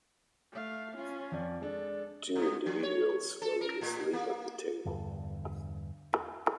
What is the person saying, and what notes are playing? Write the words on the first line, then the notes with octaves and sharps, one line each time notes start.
Two individuals falling asleep at the table.
A3 F5
C#4 F4
F2 D5
G#3 D4 A4
G2
F3
C#5
A4
A#4
A2
A#3
E2 G2 D3